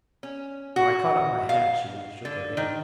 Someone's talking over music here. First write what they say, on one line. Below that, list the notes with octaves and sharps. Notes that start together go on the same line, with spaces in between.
When I caught up my hat she shook her head.
C#4
F#4
F5
D3
D#3